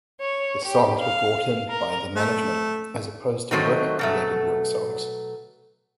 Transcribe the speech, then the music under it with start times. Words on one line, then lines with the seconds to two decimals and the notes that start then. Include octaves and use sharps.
The songs were brought in by the management, as opposed to worker-created work songs.
0.20 C#5
0.64 G4
0.98 F5
1.67 A#4
2.16 A3
3.51 D#3 F#3 A3 C4 D#4 F#4
3.99 B2 F#3 A3